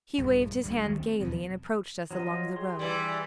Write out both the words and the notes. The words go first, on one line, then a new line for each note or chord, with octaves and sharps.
He waved his hand gaily, and approached us along the road.
A#1 G2 D3 F3
F#1 D2 G3
D2 D#3 A3
C4
D#2 B2 F3 F#3
F#3 F4 D#5
G4 G#4 C6
E3 G3